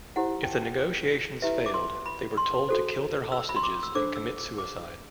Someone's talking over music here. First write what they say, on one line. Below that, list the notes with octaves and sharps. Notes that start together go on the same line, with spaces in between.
If the negotiations failed, they were told to kill their hostages and commit suicide.
E4 G4 C5 F#5
G5
A5
E4 G4 B4 E5
D6
C6
B5
C6
F#4 A4 C5
E6
B5
C6
D6
E6
D4 A4 C5 D6
E6
D6
D6